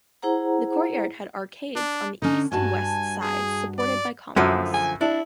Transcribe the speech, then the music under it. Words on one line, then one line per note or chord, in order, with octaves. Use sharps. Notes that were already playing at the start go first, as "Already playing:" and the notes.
The courtyard had arcades on the east and west sides, supported by columns.
E4 G#4 C5 F#5 A#5
D4
D3 C#4 D#4
G2 F#4 G#5 A5
G#4
D5
F#2 D3 F3 A3
G#5
D4 E4